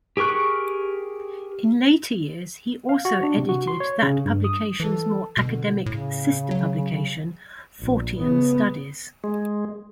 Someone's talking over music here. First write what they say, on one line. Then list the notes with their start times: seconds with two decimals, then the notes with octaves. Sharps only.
In later years, he also edited that publication's more academic sister-publication "Fortean Studies".
0.17 G4 G#4 A#4 C#6 F#6
2.89 F5
3.05 F#4
3.23 D4
3.37 C3
3.49 F#4
3.67 C6
3.80 C#5
4.03 C#3
4.25 G2
4.44 D#6
4.80 E3 A4
5.37 B2 D3
5.86 A2 C#3
6.51 F#3
7.80 A#1
8.18 C#3 B3
9.24 G#3